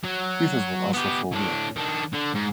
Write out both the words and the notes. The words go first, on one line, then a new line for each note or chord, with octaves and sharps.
Peters was also for Witt.
F#3
B3 G4
A2 D4
D#3 D4
D3
G#2